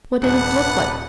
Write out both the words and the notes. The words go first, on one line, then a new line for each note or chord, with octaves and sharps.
"What did it look like?"
D#1 C3 D4 B4 F#5